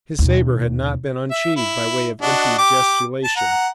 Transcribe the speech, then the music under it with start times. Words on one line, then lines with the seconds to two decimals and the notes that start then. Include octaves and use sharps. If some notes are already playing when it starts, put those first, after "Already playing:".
His sabre had not been unsheathed by way of empty gesticulation.
0.19 D#2 B2
1.31 E5
1.56 E4
2.22 D4 F#4 D#5
2.59 G4 D6
3.24 A5
3.36 F#5 A#5